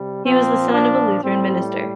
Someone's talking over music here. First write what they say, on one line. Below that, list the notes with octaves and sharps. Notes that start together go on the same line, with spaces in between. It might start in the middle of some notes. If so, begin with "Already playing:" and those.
He was the son of a Lutheran minister.
Already playing: C3 G3
A#2 F3 C4
D4
A2 G3 C4